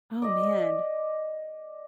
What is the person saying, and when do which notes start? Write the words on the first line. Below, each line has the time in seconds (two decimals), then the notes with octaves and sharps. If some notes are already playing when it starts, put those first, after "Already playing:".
Oh, man.
0.22 D5 D#5